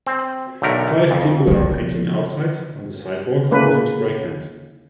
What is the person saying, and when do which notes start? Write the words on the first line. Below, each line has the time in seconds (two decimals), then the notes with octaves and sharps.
Five people are painting outside on the sidewalk using spray cans.
0.07 C4
0.62 B1 D3 A3 A#4
1.11 F2
1.47 F3 A3
3.51 C#3 A3 A#3 B4